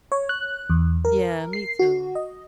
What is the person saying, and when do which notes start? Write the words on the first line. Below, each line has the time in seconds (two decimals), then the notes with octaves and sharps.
Yeah, me, too.
0.12 C#5
0.29 F#6
0.70 E2
1.05 A#4
1.53 C7
1.79 F#4
2.15 D#5